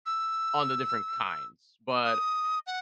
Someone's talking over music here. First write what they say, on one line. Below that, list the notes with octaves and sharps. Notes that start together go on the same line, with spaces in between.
on the different kinds, but
E6
D#6
F#5